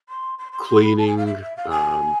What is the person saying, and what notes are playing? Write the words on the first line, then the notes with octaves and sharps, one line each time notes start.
cleaning, um
C6
C6
C6
C6
B5
A5
G#5
F5
E5
E5
F5
G#5